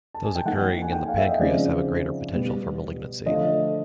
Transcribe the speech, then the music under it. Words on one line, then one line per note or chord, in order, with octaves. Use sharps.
Those occurring in the pancreas have a greater potential for malignancy.
A5
G#5
G5
F3 A#3 D#4 F#5
G#5
G5
F5
E5
D#5
C#3 F3 G#3 C4 D#4 D5
B2 G3 B3
D3 F3 A3 D4 F4 D#5